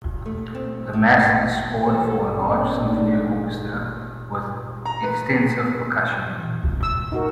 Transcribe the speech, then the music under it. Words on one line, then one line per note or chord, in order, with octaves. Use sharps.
The mass is scored for a large symphony orchestra with extensive percussion.
A3
C4
A2
E3 G3 G4 A4 C5 C#5
B3 C#4
G#3 D4 D#4
A#5
B4
A#2 E3
G#2 C3 G#3
C2 G#2 C#3 E6
F#2 D#4 F#4 A#4